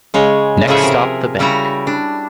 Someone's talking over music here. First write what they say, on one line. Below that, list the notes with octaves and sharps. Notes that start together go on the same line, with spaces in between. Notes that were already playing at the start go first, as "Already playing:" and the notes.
Next stop the bank.
C#3 G#3 C#5
A2 C#3 F3 G#4 E5 F#5
C3 A#4
C#3 G3 E4 F#4 A#5
D4